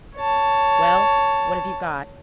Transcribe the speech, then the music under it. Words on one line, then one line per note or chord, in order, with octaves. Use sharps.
"Well, what have you got?"
C#5 A5